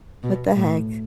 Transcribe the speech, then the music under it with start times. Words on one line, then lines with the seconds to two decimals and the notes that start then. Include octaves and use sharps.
What the heck?
0.23 B2
0.56 A2